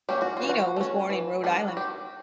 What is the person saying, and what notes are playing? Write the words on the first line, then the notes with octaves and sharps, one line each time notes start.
Eno was born in Rhode Island.
F#3 A#3 C#4 G4
F#4
F4
E3
F#4
A3 C#4
E3
G3 B3 D4
F#4
D#3 G4